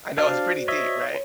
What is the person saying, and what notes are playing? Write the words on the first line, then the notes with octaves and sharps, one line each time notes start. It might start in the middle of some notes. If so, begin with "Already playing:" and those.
I know it's pretty deep, right?
D4 F#4 C5 D5 F5
C#5 D#5 E5
C#5